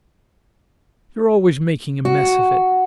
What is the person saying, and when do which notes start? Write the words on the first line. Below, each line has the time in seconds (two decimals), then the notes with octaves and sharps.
You're always making a mess of it.
2.05 F#4